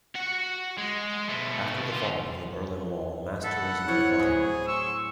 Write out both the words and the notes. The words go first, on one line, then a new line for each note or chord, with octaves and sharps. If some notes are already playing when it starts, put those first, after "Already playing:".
After the fall of the Berlin Wall, mass tourism declined.
F#4 F#5
G#3
B2 A3
D3 F4
A4 E5 F#5 B5
C3 F3 E4 C#5
A2 F#3 G#4
C6 C#6 E6